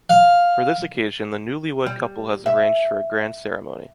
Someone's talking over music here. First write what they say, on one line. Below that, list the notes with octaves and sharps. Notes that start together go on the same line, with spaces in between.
For this occasion, the newlywed couple has arranged for a grand ceremony.
F5
G3
E5